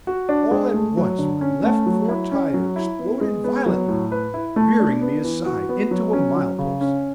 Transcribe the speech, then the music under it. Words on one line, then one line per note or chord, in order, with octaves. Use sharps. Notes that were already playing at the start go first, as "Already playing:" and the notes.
All at once my left fore tire exploded violently, veering me aside into a mile-post.
F#4
D4
G#3
A3
F#3
D3
C#4
A3
F#3
E4
C#4
F#3
E4
B3
G#3
B3
F#3
A2
B4
E4
A3
D4
B3
E3
F#4
B3
F#3
C#4
F#3
C#3
C#4